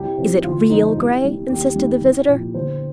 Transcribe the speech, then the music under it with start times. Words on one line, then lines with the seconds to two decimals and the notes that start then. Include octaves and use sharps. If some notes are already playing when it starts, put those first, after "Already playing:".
"Is it real grey?" insisted the visitor.
Already playing: C2 G4
0.18 C3 F3
0.44 G1 F4
0.70 G2 F3 D#4
0.97 C2
1.23 C3 G3
1.49 D#2 G4
1.76 D#3 G3
2.01 C2
2.29 A#2 F3
2.54 G1 C5